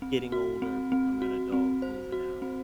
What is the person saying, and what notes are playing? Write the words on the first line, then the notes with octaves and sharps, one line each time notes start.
getting older, becoming an adult, moving out,
C4
F#4
C4
C4
F#4
C4
C5
F#4
C4